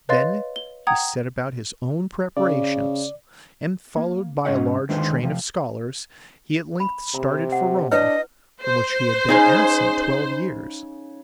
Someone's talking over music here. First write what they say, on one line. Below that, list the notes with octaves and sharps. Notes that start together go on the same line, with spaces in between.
Then he set about his own preparations, and, followed by a large train of scholars, he at length started for Rome, from which he had been absent twelve years.
B4 C#5 D#5 F5 C6 A6
G7
F#5 G5 A#5 D#6 G#6
C#3 D5
A#3
G#2 E3 C#4 C#5 D#5 F#5
D3 D#3 G#3 D#4 B4 C5
C3 F3
B5
C3 A#5
F#5
D4 E4 B4 C#5 D#5
C5
C#3 D#4 G#4 F5 G#5